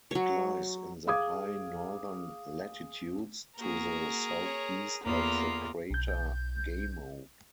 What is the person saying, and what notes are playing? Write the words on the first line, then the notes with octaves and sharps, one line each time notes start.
It lies in the high northern latitudes, to the southeast of the crater Gamow.
F#3 C#5
G#4 F5 D6 D#6 G#6
A#3 F#4 G#4 A#4
C#5
E2 D3 A#3 F4 D#6
B1 G6